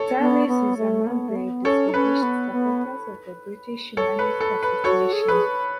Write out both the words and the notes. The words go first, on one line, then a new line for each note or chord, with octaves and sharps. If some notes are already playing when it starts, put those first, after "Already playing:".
Tallis is among the Distinguished Supporters of the British Humanist Association.
Already playing: A4 C#5
B3
B3
A3
B3
A3
B3
C#4 A4 C#5
D#4
C#4 B4
B3
B3
A4 C#5
B4
A4
B4
F#4 A4 C#5
G#4
A4
G#4 B4